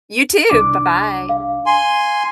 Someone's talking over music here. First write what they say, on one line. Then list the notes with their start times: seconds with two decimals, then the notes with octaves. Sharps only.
You too. Bye bye.
0.50 C2 D4 D6
1.29 F5
1.66 G#5 C6